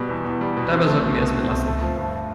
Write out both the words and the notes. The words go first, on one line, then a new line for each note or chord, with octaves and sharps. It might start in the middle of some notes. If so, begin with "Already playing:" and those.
Dabei sollten wir es belassen.
Already playing: B2 G3
E2
E2
G3
B2
C4
A3
B2
B2
C4
A3
A3
F3
G2